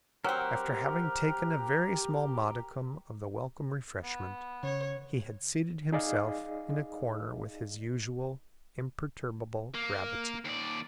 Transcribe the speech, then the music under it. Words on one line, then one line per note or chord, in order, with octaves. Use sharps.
After having taken a very small modicum of the welcome refreshment, he had seated himself in a corner with his usual imperturbable gravity.
F#3 C4 G4 A#4 F#5 A#5
B3
C#3 C#5
D#4 G#4 D5 D#5 F5
A#3
D#2 D5